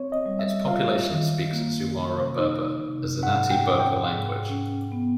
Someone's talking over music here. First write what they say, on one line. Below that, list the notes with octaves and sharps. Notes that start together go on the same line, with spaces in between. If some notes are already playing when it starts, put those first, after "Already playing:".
Its population speaks Zuwara Berber, a Zenati Berber language.
Already playing: C4 C#5
D#5
G3
E5
F4 F5
D#3
A#3
C3
D#4
C3
G#2 F#5
G5
C#4
G5
G#2
C#4
B3